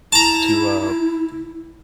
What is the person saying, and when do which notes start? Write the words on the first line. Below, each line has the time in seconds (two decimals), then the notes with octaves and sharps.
to, uh,
0.12 E4 A5 A#5